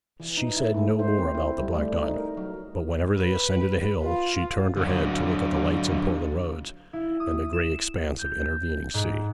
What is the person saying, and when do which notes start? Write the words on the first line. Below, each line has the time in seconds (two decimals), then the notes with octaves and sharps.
She said no more about the Black Diamond; but whenever they ascended a hill she turned her head to look at the lights in Portland Roads, and the grey expanse of intervening sea.
0.20 E3
0.37 D#4
0.57 E4
0.74 A3
0.99 C5
1.18 C4
1.35 E4
1.60 G3
1.75 A3
2.02 D#4
2.16 A#4
2.37 F#3
3.18 B4
4.03 F4
4.77 D3 F#3
6.93 E4
7.20 D#6
7.53 E7
8.19 G6
8.94 G#2